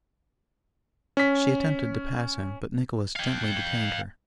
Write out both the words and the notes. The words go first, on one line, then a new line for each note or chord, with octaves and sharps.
She attempted to pass him, but Nicholas gently detained her.
C#4 B6
F5 G5